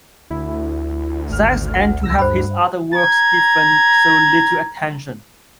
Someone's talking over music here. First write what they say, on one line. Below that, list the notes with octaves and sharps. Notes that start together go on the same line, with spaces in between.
Sex and to have his other works given so little attention.
D2 E4
G#1 F6
F#5
C2 E6 A#6
G2 C5 B5
A#5 G#6